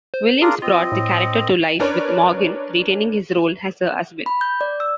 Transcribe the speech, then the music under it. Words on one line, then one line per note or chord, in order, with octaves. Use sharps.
Williams brought the character to life with Morgan retaining his role as her husband.
C5
D4 F4 G#4 A#4
C4 F4 D#5
A2
C#4 D4 A#4 B4 C#5 D5
B5
G6
D5
E6